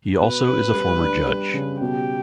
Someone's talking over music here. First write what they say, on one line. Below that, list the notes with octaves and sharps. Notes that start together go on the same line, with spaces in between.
He also is a former judge.
B2 B4
C#4
G3
D4
G3
C#3
B2 G4